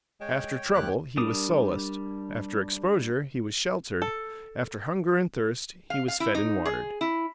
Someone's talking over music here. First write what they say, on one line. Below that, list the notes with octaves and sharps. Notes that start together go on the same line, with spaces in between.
After trouble, he was solaced; after exposure, he was sheltered; after hunger and thirst, he was fed and watered.
G#3 C#5 G5
D#2 G4 F#6
G3 D4 A#4 D6 D#6
A4
F5
F5
E4
D#4
G#4
E4